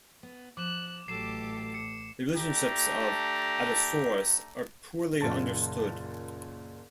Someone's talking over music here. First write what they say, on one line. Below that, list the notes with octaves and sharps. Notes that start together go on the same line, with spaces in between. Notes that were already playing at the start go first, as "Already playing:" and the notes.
The relationships of "Adasaurus" are poorly understood.
B3
F3 D6 F#6 E7
A1 A2 F#3 G4 A4 C7 E7
C#7
A3 D4 G4 A#5
F#1 A#2 C#4 A5 A6